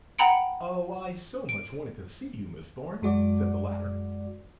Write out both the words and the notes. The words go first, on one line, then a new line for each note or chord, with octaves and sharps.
"Oh, I so much wanted to see you, Miss Thorn," said the latter.
F#5 G5 A#5 B5 C#7 D7
D7
F#2 G#3 F#4 D5 D6